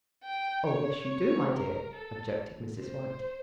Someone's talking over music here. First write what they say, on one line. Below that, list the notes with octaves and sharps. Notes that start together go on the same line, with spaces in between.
"Oh, yes you do, my dear," objected Mrs. White.
G5
C#5
A#4
A4
C5